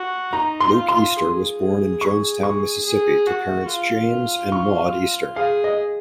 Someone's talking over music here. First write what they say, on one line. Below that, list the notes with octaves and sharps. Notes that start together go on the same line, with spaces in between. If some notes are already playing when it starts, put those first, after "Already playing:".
Luke Easter was born in Jonestown, Mississippi to parents James and Maude Easter.
Already playing: F#4
D#4 A#5
C6
F4
C6
G#4
C#6
C#6
G#4
F#4
F4
C#6
G#4 F5
D#5